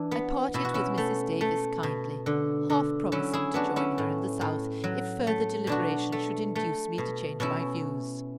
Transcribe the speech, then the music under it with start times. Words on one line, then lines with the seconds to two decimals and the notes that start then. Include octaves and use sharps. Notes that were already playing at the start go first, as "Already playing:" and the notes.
I parted with Mrs. Davis kindly, half promising to join her in the South if further deliberation should induce me to change my views.
Already playing: E3 D4
0.11 B3
0.54 B2 E4
0.65 F#4
0.74 C#4 E4
0.98 A3
1.41 A3
1.83 B2
2.26 D3
2.70 D3
3.12 F#3 C#4 E4
3.33 E4 G#4
3.54 B3 D4 F#4
3.76 C#4 E4
3.98 A2
4.41 A2
4.84 F#3
5.27 A3
5.67 B2 D4 F#4
6.12 A3
6.55 A3
6.98 B2
7.40 B2 C#4 E4